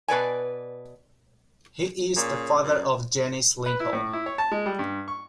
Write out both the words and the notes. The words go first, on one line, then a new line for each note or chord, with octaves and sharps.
He is the father of Janice Lincoln.
B2 B4 D5 G#5
A#2 C#4 G#4
F#2
B4
E4
A2
E4
C#5
A5
G#3
G3
G2
C#6